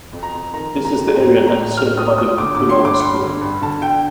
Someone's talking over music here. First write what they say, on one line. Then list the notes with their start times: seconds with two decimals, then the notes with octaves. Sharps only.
This is the area that is served by the Gullaug school.
0.13 F2
0.23 A#5
0.34 F2
0.54 D#3 A#5
0.75 D#3
0.85 A#5
0.95 F2
1.15 A2 A#5
1.36 A2
1.47 A#5
1.56 A2
1.77 A2 F6
1.98 A2 D#6
2.18 A2 D#6
2.38 D3 D6
2.55 D3 D6
2.69 C6
2.80 G2 D6
3.00 G2 C6
3.21 D3
3.41 G2
3.62 D3 A5
3.82 D3 G5